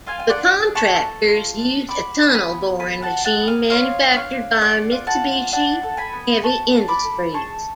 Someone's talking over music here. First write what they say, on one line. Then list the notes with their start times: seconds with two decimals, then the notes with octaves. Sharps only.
The contractors used a tunnel boring machine manufactured by Mitsubishi Heavy Industries.
0.07 F4 F5 G#5
0.20 G#5
0.30 D5 F#5
0.37 D4
0.67 D4
0.75 A5 C#6
0.98 A4
1.28 F4
1.59 D4
1.88 F#4 B5 D6
2.20 B3
2.34 G#5 B5
2.49 B3
2.79 A4 G#5 B5
3.02 F#5 A5
3.10 F#4
3.25 F#5 A5
3.41 B3
3.48 F5 G#5
3.70 F4 C#5 F5
4.01 D4
4.16 C#5 F5
4.32 D4
4.61 G#4 D5 F#5
4.91 F4
5.07 F#5 A5
5.21 D4
5.52 D4 F#5 A5
5.83 A4
5.97 G#5 B5
6.13 B3
6.42 F#4 A5 C#6
6.73 D4
6.88 B5 D6
7.03 A4
7.34 G#4 A5 C#6